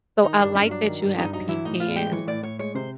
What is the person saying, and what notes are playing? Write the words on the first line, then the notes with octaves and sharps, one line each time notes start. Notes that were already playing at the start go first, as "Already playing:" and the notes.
So, I like that you have pecans,
D#3 D#4
G2 D4
G2 C#4
F#3 D4
D#3
G2
G2 D#4
F#3 D#4
E3 E4
A2 D#4
A2 F4
G#3 G4
E3 C#5
A2 D5
A2 C#5
G#3 C#5
C3 C5